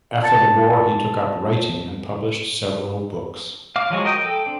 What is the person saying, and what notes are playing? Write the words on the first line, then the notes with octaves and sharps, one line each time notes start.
After the war he took up writing, and published several books.
A5 A6 C#7
F5 D6
F3 F#3 G#3 F#4
A#4 D#5 G5 D#6
A4 G5
C4 D4